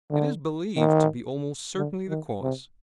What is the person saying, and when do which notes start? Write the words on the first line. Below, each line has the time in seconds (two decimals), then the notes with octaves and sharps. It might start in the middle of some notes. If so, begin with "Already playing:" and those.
It is believed to be almost certainly the cause.
0.11 D3
0.77 D#3
1.76 D3
2.08 D#3
2.42 C3